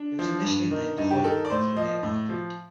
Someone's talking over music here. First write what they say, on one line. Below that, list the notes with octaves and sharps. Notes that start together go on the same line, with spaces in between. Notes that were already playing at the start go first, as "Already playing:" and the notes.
It was initially named Hoyle, for a nearby creek.
Already playing: D4
F3
G2
D#3
G2 D#4
G4
D#3 A4
D5
A2 C5
F3 D#5
A2
F3